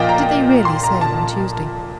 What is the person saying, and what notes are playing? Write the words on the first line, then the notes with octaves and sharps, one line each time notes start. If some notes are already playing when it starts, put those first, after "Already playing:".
Did they really sail on Tuesday?'
Already playing: A#2 F3 D#5 F5 G5
A#5
C6
A#5
A5